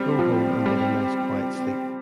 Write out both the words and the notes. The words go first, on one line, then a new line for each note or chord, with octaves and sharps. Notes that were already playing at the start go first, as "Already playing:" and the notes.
Go home and get a nice quiet sleep.
Already playing: G3 C4
F3
G3
C4